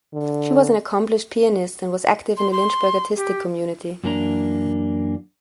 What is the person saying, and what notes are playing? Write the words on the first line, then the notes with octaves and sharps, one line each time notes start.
She was an accomplished pianist and was active in the Lynchburg artistic community.
D3
C6
C6
G4
F#2 E3 A#3 D4 A#5